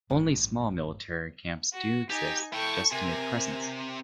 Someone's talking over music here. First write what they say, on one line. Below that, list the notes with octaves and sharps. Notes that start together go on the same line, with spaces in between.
Only small military camps do exist just to make presence.
A1 G2
F#4
D#4 G4 G#5
E4 A4 G5 C#6
C3 A#4 G#5